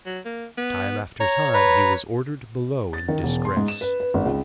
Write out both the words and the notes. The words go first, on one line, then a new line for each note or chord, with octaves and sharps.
Time after time he was ordered below in disgrace.
F#3
A#3
B3
C#5 A#5
B4 A#5
A6
D#3
E1
C6
G#2
E7
B4
B4
G#1
C#2